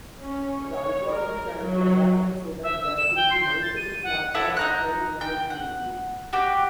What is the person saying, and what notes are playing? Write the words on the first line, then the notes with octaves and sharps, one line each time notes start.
The algorithm can be adapted so that there could be multiple snapshots occurring simultaneously.
C#4
C#5
A#4
F#3
E5
E6
E7
G5
C6
G6
A6
D#7
F#5
E4 A4 E5 F#5
D#4 A#5 F#6
G5 G6
F#5
F#4 G4